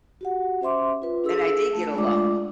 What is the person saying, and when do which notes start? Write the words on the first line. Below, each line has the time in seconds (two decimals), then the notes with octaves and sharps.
and I did get a loan
0.21 F#4 G4 F#5
0.61 C#4 C5 E5 C6 D6
1.02 F4 B4
1.24 D4 G#4 A4 E6
1.73 A3 A5
1.94 G#3 A3 D4 F4 D5 D6